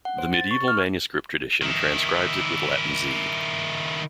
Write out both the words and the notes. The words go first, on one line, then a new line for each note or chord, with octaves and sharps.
The medieval manuscript tradition transcribes it with Latin Z.
F#5
C5
A6
C#6
F6
D#3 E4